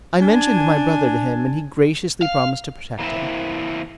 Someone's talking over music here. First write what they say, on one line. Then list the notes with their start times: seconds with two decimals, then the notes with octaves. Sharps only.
I mentioned my brother to him, and he graciously promised to protect him.
0.20 D4 G#5
2.22 F5
2.99 E3 G#3 A#3 C4 E4 E5